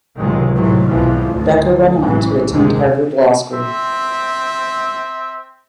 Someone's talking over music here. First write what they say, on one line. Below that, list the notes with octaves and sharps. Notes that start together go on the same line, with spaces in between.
Becker went on to attend Harvard Law School.
C#2 A2 C3 D#3 F#3 G#3
A2 C3 D#3 E3 F#3
B1 F2 G#2 E3 F3
D2
A1 G#2 E3 F#3
F#1 D#2 C3 G#3 A#3
C4 E5